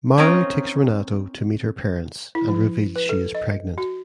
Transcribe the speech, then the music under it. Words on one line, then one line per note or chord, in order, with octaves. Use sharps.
Maru takes Renato to meet her parents and reveals she is pregnant.
C4 C#4 D#4 F4 A#4
E4
F3
B4
A4
D#5
F#4